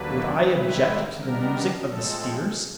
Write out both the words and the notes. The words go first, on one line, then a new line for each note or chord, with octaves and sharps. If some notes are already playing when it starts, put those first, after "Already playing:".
Would I object to the music of the spheres?
Already playing: D#2 D3 F#3 A#3 D4 B4
G#2 D#3 G3 C4 E4 B4
D#3 G3 B3 D4 A#4
A2 F3 G#3 C4 A4